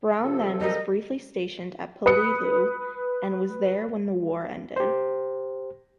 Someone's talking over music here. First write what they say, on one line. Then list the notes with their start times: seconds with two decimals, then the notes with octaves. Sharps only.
Brown then was briefly stationed at Peleliu and was there when the war ended.
0.21 C3 F3 A4
0.61 G3 G4 A#4 D#5
2.06 B4 D#6 C#7
4.76 G4 C5